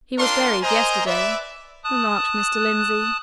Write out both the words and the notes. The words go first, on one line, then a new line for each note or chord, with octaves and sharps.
"He was buried yesterday," remarked Mr. Lindsey.
C4 D4 F4 A#4 C6
A#4 C5 D#5 G#5 A#5
B4 D5 E5
A5 D#6 F#6